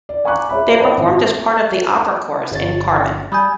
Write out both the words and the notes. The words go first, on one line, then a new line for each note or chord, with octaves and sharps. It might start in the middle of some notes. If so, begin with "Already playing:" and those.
They performed as part of the opera chorus in Carmen.
D5
F5 G#5 A#5 C#6 D6 F#6
G#4 C#5 E5 B5
C5 C#5 D#5 F5 A5 B5
G#1
G1 C#5 A6
G3 G#5 B5 D#6 G6